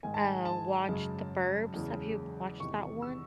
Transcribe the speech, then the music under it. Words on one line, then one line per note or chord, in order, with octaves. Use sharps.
uh, watched The Burbs. Have you watched that one?
G#2 D#3 G#3 G#5
A5
G#5
A5
F#2 C#3 G#3
E2 C#3 G#3
E2 C3 D#3 G#3 C#6
E6